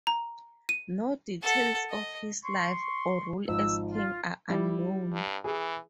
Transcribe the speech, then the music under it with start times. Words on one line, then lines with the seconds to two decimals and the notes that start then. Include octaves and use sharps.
No details of his life, or rule as king, are known.
0.07 A#5
0.69 D#7
1.43 A4 F#5
1.90 D#5
2.44 C6 C#6
3.48 G#1 F3 D#4 E6
3.93 F4
4.50 G3 E4
5.13 G2
5.44 E3 G#4